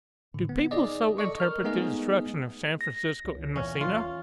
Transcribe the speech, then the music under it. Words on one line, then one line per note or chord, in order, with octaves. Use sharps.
Do people so interpret the destruction of San Francisco and Messina?
A2 D3
B3
D#4 G#4 D5 D#5
A4 D5 D#5 C#6
A#4 F6
G#3 A3 B3 D#4 G#4 D#5
A#6
C#2
E2 A#2 E3 C#4
F4